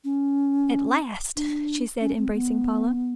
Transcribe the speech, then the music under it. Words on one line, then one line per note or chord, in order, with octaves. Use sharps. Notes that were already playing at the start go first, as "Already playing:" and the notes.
"At last," she said, embracing Paula.
C#4
D4
C#4
C4
B3